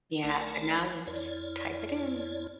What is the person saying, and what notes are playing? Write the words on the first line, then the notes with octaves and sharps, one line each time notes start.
Yeah, and now you just type it in.
B1 A3 A#4 D5 G#5 A5
F2 E4 C#5 D5